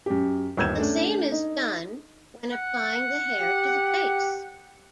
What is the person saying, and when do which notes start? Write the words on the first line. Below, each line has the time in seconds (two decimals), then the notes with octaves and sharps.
The same is done when applying the hair to the base.
0.06 F#2 G4
0.57 G1 D#2 E6 G6 G#6 E7
0.78 A3 C#4 D4
1.32 D#4
2.53 F#5
3.39 G4